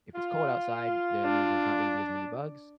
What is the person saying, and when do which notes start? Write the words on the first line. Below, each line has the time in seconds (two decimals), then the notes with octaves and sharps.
if it's cold outside, that means there's not gonna be as many bugs.
0.16 F4
1.25 D4